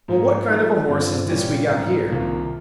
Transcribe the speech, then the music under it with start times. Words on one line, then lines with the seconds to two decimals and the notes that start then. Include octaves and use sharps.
Well, what kind of a horse is this we got here?
0.08 G#2 F3 A#3
0.48 F3 G#3 D#4
0.89 G2 G3 C4 F4
1.29 A#2 G3 C#4 G4
1.69 G#2 G3 C4
2.08 C2 C3 D#3 A#3 F4